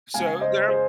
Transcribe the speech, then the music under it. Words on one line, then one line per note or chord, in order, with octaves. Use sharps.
So, there
C#3 G#3 F5 G#5
C5 D#5
G#4 C5